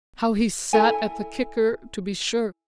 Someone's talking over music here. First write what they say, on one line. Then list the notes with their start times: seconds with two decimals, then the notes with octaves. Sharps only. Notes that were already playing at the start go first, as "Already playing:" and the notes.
How he sat the kicker to be sure!
0.73 E4 A4 G#5